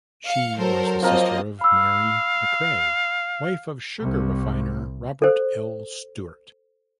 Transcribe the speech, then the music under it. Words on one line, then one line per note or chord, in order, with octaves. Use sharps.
She was the sister of Mary McCrea, wife of sugar refiner Robert L. Stuart.
F5 C#7
F#3 A4 A#4 C5
F3 A#3 C4 A#4 D#5
F5 B5 E6
C2
A4 C5